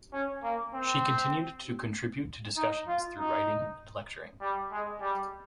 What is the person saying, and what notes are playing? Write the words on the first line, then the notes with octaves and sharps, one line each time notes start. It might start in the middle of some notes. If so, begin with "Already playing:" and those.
She continued to contribute to discussions through writing and lecturing.
C#4
A#3
C4
D#4
F4
D#4
G3
G#3
G3